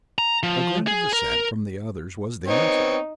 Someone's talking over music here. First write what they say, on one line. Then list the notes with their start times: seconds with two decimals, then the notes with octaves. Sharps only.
A grunt of assent from the others was the answer.
0.18 A#5
0.43 F3
0.87 G#4
1.13 A#4
2.48 B3 C4 D#4 C#5